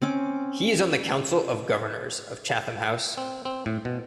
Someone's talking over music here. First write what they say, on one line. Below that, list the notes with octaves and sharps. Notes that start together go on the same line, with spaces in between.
He is on the council of governors of Chatham House.
C4 C#4 D6
C4
C4
A2
B2